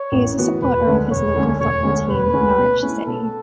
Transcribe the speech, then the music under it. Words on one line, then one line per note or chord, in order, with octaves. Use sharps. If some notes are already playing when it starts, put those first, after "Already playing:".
He is a supporter of his local football team Norwich City.
Already playing: C#5
A1
A2 E3 B3 F#4
E1 B4
D2 D3 G#3 C#4
E1 C#5
D2 D3 G#3 C#4
E1 C#5
D2 D3 G#3 C#4
E1 B4
D2 D3 G#3 C#4
B2
A3 C#4 E4 G#4
B2 A4